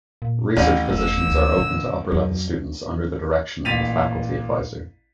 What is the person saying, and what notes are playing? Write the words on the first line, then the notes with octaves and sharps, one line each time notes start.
Research positions are open to upper-level students under the direction of a faculty adviser.
A#2
A1 D#2 A3
F#1 E2 A3 E6
D2 D#3
A2 D3
F2 F#3
A1 A#2 A6 B6 D#7 F7